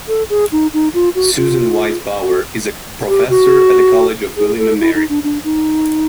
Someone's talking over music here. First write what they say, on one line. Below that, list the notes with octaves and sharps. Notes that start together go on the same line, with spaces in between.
Susan Wise Bauer is a professor at the College of William and Mary.
A4
G#4
D#4
D#4
F4
F#4
F4
F#4
G4
F#4
G#4
A4
E4
D#4
D4
D4
D#4